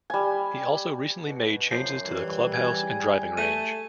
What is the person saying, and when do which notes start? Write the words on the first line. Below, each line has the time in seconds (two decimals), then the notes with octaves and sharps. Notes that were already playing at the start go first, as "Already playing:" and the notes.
He also recently made changes to the clubhouse and driving range.
0.10 G3 G#5
1.25 B2
1.71 F#2 F3 C7
2.06 E3 G3
2.54 G#4 G#6
3.37 A3 D#7